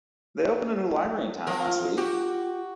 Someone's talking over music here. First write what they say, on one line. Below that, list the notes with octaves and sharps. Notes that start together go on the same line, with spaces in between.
They opened a new library in town last week.
F3 A#4
F4
F#4 G4